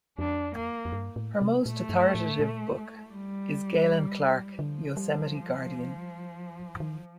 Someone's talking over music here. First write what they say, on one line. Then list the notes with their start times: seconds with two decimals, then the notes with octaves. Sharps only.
Her most authoritative book is "Galen Clark: Yosemite Guardian".
0.18 F2 D4
0.55 A#3
0.85 F2
0.92 G2
1.16 A2
1.41 C3
1.65 A#2 A3
1.89 G2
2.15 A2
2.39 A#2
3.12 G3
4.59 D3 F3
4.97 G3
6.80 D#3